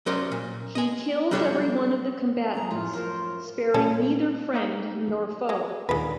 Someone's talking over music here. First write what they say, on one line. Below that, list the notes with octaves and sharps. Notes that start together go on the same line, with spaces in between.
He kills every one of the combatants, sparing neither friend nor foe.
F#3 C#4 A#4 C5 D5 D#5
A#2
D#5 G#5
F#3 G3 D4 A4 C#5 E5
F#2 G#4 A#5
F#2 A2 F3 F4
F4 A#4 C5
A#2 G3 C#4 A4
A#3 D#4
F#3 G#3
D#2 A#2 D3 G#3 B4